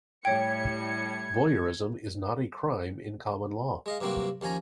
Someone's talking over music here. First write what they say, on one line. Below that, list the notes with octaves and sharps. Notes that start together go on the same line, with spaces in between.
Voyeurism is not a crime in common law.
A2 G3 C#5 G5 G#6 C#7
G#3 D#5 F5
G2 C3 F#3 A#3 C4 F#4
D#2 F3 C#4 G#5 A#5